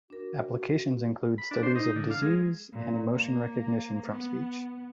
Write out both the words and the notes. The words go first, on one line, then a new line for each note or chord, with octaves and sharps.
Applications include studies of disease and emotion recognition from speech.
D4 F#4 A#4
B5
D4
C5
D#4
D3
F5
G#3
A#2
A#3
B3